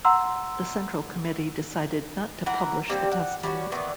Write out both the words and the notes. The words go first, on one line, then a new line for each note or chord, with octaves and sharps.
The Central Committee decided not to publish the testament.
F#5 A#5 C6 E6
E3 A#4 F#5 A#5
G3 A#3 C4 G4
F#5
G3 C#4 F4 F#4
D#3 E3 B3 D5